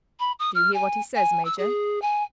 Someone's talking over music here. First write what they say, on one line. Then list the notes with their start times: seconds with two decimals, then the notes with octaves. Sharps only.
"Do you hear what he says, major?"
0.20 B5
0.39 D#6
0.55 F6
0.74 G#5
1.15 G#5
1.45 E6
1.58 G#4
2.02 G#5